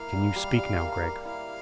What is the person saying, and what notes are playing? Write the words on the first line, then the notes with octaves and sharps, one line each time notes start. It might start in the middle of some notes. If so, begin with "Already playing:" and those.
"Can you speak now, Gregg?"
Already playing: A#3 E4 F5
G3
G3
G3
A#3
A#3
E4 F5